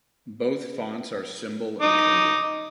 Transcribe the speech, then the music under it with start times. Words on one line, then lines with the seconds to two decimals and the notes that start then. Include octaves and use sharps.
Both fonts are Symbol-encoded.
1.82 D#4 D6 D#6